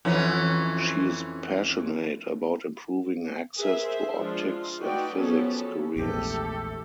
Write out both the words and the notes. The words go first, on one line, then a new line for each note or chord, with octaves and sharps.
She is passionate about improving access to optics and physics careers.
F2 E3 C#4
G#4 A#4 B4 E5
C5 E5
F3 G#3 D4 F4
F4
A3 D#4 F#4 B4 D5 G5
F3 F#3 B3 C#4 G#4 A4
A#1 E2 G#2 A3 G4 A4